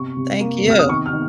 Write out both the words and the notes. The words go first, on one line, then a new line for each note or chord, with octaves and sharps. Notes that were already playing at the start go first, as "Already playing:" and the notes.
Thank you.
Already playing: C3 C#6
C3
A#3
C3 F6
D#6
D#3 C#6
F6
D#3